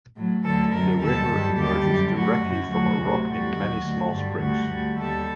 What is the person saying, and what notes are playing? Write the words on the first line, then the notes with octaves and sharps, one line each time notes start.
The river emerges directly from a rock in many small springs.
A2 F#3
D2 D3 F#3 A4
F#2 F#3 A#4
D#2 D3 G3 A4
G2 D#3 G3
D#2 D3 G3 G4
F#2 D3 G3
A2 F#3 F#4
F#2 F#3
D2 D3 F#3 F#4
D2 C3 F#3
A2 G3 F#4
D#2 D#3 F#3
D2 D3 F#3
G2 D3 G3
D2 D3 G3 F#4
D2 D3 G3
D#2 D3 G3 A4